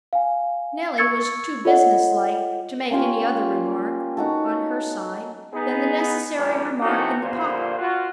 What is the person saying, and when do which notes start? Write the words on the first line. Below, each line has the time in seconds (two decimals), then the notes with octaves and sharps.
Neelie was too business-like to make any other remark, on her side, than the necessary remark in the pocket-book.
0.13 F5 G#5
0.98 C#6 E6 G#6 A6 C#7
1.65 F4 A4 C#5 D#5 F#5
2.90 A#3 C#4 F4 G4
4.17 D#4 F#4 A4
5.54 B3 D#4 G#4
6.37 D2 E3 G3 C#4 D4
6.82 E3 A3 C4 C#4 D#4 F#4
7.21 A#1 G2 A#2 D3 F4 C5
7.78 F4 F#4